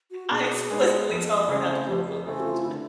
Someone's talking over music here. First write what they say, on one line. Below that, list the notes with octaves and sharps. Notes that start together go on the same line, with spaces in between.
I explicitly told her not to post those pictures.
F#4
B2 G#4
G#3 B3
F2
C#3 E3 A3 C4
F2 G4
G#4
C#3 E3 A3 C4 A4
F#4
F4
F4
D3 E4